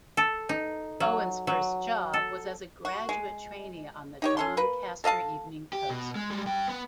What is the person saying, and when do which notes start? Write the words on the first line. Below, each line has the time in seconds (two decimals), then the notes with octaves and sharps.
Owen's first job was as a graduate trainee on the "Doncaster Evening Post".
0.17 A4
0.49 D#4
1.00 F#3
1.47 F#3
2.13 A4
2.85 F#4
3.09 G#3
4.22 D#4 G4 C#5
4.37 C#4 A4 C6
4.57 A#3 B4
5.04 A4 D#5 F5 A5
5.73 G4
5.90 B2
6.16 G#3
6.31 G3 G#3
6.46 G2 G5
6.67 B3